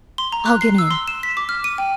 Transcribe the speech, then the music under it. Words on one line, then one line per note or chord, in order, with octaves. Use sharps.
I'll get in.
C6
A#5
F#6
C7
E6
C6
E7
B6
D6
F6
D#7
G5